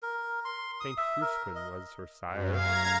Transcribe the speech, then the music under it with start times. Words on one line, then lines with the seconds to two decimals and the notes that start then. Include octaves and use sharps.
Saint Frusquin was her sire.
0.03 A#4
0.45 C6
0.80 D#6
0.97 E5
1.21 A#4
1.55 D#5
2.27 F#2
2.56 F5 A#5 G#6